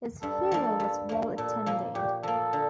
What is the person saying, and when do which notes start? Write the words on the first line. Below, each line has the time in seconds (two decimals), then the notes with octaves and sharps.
His funeral was well-attended.
0.23 G2 A4
0.51 F3 A#3
0.80 G2
1.09 F3 A#3
1.37 A#2 A4
1.66 F3 A#3
1.95 A#2 G4
2.23 F3 A#3 A4
2.53 D3